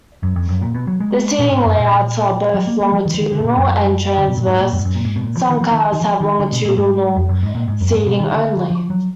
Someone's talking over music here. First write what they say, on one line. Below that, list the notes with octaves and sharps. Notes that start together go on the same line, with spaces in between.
The seating layouts are both longitudinal and transverse; some cars have longitudinal seating only.
F#2
F2
F#2
A#2
B2
F#3
G#3
A#2
G#2
F#2
A#2
F#3
A#3
A#3
F3
D#3
F3
D#3
D3
B2
A#2
F#2
D3
B2
A#2
G#2
A#2
F#2
G#2
F#2
A#2
G#2
B2
A#2
F3
D#3
F3
D#3
D#3
F3
D#3
D3
B2
A#2
G#2
F2
F#2
G#2
A#2
G#2
F#2
G#2
B2
D#3
D3
F3
F#3